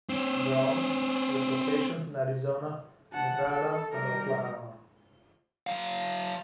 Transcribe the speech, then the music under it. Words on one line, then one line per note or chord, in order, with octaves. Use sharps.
Brown, with locations in Arizona, Nevada and Oklahoma.
C4 C#4
F#5 A5
A4
G3 A#4
F#3 F5